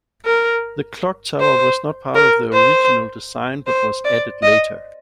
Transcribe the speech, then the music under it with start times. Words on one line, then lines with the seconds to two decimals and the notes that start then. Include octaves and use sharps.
The clock tower was not part of the original design, but was added later.
0.26 A#4
1.40 C5
2.15 A#4
2.54 C5
3.67 C5
4.05 D5
4.43 D#5